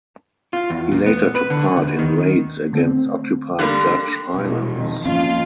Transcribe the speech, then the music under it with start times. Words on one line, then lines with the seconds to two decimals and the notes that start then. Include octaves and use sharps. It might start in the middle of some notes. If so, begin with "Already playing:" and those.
He later took part in raids against occupied Dutch islands.
0.53 F4
0.70 E2
0.91 A#2
1.06 B3
1.35 B4
1.50 D3
1.76 D2
1.99 D#3
2.73 D3 A3 C4
3.59 D3 G3 A#3 B5 F#6
4.34 E1 A#1 E2
4.73 F2 D#3
5.05 F2 A2 A#3 C#4 F4